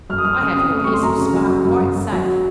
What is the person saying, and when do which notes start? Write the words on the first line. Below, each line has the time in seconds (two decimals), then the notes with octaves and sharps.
I have your piece of spar quite safe.
0.10 F#2 F6
0.18 D#6
0.25 F#2 F6
0.41 C#3 D#6
0.56 C4 D#6
0.71 A3 D#6
0.84 A3 C#6
0.93 C6
1.03 F#2 A#5
1.18 C#3
1.33 F#3
1.49 F#2
1.65 F#2
1.80 F#2
1.96 F#2
2.12 F#3